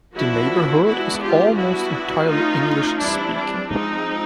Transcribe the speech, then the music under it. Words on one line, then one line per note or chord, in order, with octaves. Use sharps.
The neighbourhood is almost entirely English speaking.
F3 A#3 D4 E4 F#4
E3 G#3 B3 D4 E4 F#4
F4 G4
G3 B3 D4 E4 F#4
E3 A3 C#4 D#4 F4
E3 G3 C4 D4 E4
D4
F3 G#3 C4 D#4